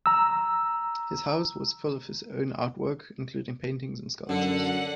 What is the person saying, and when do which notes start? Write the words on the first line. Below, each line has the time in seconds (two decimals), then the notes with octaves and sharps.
His house was full of his own artwork, including paintings and sculptures.
0.06 A#5 E6
4.29 F#2 D3 A4 F#5